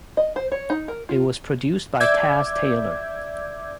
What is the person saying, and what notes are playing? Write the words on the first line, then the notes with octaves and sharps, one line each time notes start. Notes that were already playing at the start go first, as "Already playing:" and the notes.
It was produced by Taz Taylor.
D#5
C5
C#5
D#4
A#4
F4
D5 E5 D6 E6 G6 G#6